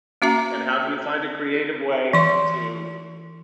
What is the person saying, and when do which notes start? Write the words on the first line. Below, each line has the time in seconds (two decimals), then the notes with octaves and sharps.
and how can you find a creative way to
0.22 A#3 C#4 F#4 E5 F5 A#5
2.13 E3 C6